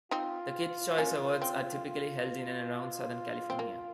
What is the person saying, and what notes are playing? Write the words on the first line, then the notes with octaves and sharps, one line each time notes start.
The Kids' Choice Awards are typically held in and around Southern California.
C4 D#4 F4
A#3 C#4
C4
F4
C4
A#3